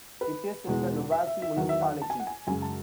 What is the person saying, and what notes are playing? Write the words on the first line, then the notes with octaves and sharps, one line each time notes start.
It is in the Novaci Municipality.
B4
E2 B2 G#3
E5
E5
E5
E2 D#3 F#3 F#5
E5
F#5
A5
G#5
F#5
G#5
F#2 C#3 G#3 G#5
A5